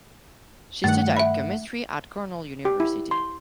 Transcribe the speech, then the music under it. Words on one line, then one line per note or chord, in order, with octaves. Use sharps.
She studied chemistry at Cornell University.
G2 D#3 A3 F#5
E5 B5
G4
E4
C6